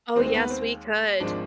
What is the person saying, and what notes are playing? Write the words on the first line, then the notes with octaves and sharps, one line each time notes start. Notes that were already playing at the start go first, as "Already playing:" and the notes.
Oh, yes, we could.
D#2 D#3 G#3 C4
C4
B3
C4
G#1 F3 G#3 D4